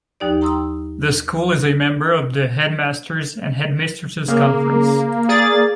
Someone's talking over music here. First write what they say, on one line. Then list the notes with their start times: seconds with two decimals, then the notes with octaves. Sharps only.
The school is a member of the Headmasters' and Headmistresses' Conference.
0.20 D#2 F3 D#4 G4 D5
0.41 G5 A#5 C6 D#6 E6
4.28 C#3 A#3
5.29 G#4 D5 A6